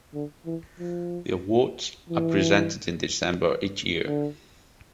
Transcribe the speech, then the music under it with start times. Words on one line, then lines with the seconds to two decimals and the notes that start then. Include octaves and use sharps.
The awards are presented in December each year.
0.14 D3
0.46 E3
0.79 F3
2.10 E3
4.07 D3